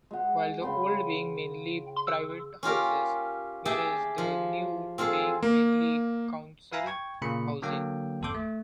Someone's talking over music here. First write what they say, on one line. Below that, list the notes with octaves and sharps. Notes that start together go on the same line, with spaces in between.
With the 'old' being mainly private houses whereas the 'new' being mainly council housing.
G#3 F#5
C#3 G5 B5 C6
C#4 F4 G4 A#4
G4 G#4 E5 G5 A5
F3
C4 F4 G#4 A4
A#3
B4 E5 F5 G#5 A#5 B5
G5 C#6 G#6
A#2 C#3 A#3 B5 C#7
D3 F#3 A#3 G5
G#1 F2 A4 C6 D6 G6
A3